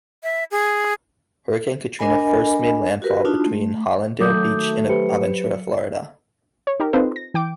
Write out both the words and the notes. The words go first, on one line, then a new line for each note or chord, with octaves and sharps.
Hurricane Katrina first made landfall between Hallandale Beach and Aventura, Florida.
E5
G#4
D4 A#4 D#5 G#5 B5
F#4 G4 A#4 B4
D4 D#4 F4 F#4 A5
A3
D#3 F#3 A3 D6 D#6 G6
G4 B4 C5 C#7
C#5
D#4 G4 A#4
C4 D#4 F4 A4 B4 C5
A#6
E3 G5 D6 D7